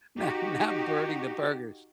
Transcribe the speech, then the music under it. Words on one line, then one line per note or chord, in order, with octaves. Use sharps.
not not burning the burgers.
D#4 F#4 G4